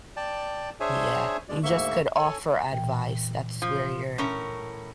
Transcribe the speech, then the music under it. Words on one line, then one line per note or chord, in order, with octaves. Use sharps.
Yeah, you just could offer advice, that's where you're
D5 G5 A5
D4 G#4 C5 C#5 E5 G#5
G2 B2 G#3 D5
D2 G#2 A#3 E5 C#6
A4 C#5 G#5
A#2 E3 G5
F3
A2 C#4 A#4